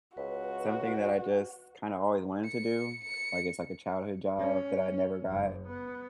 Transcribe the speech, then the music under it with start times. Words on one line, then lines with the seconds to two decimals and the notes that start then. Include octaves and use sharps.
something that I just kinda always wanted to do. Like, it's like a childhood job that I never got.
0.17 C#2 F#4 B4
2.45 C#7
3.04 C#7
4.39 C#4
5.28 F#1
5.67 B3